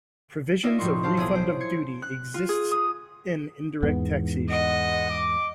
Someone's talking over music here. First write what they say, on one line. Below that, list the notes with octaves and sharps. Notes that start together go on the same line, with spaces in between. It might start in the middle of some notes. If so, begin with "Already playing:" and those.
Provisions of refund of duty exists in indirect taxation.
D#4 F4 A#4 D5 E5
F1 A2 F3 D#4 C6 C#6
G4 C5 F5 A5
B1 E4 G#4 D#6
C5 D7
C6 G#6 C#7
F#6
F4
G#4
D#6
E2 G#2 B3
G#3 B4 D#5 F#5
D6